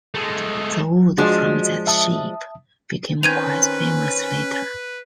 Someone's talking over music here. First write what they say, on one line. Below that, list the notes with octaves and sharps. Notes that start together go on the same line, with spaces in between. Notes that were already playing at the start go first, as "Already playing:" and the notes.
The wood from that ship became quite famous later.
G#3 A3
F3 G#3 D4 F#4 D#5
E5 A5 D#6
D#3 C4 C#4 B4 G#6 D#7 F7